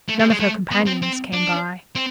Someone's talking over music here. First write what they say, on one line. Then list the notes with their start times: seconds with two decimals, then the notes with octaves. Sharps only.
None of her companions came by.
0.09 A3
0.19 G#3
0.30 G#3
0.40 A3
0.71 B3
0.86 C4
1.02 C4
1.33 D4
1.95 C4